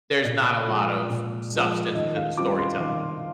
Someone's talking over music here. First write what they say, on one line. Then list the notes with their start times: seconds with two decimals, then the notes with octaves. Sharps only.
there's not a lot of substance within the storytelling of it.
0.24 A#2 D5
0.67 F3 G#3
1.10 A#2
1.53 F3 G#3
1.95 D#3 D#5
2.16 F5
2.37 G3 C4 F4 D6
2.59 C6
2.80 D#3 F5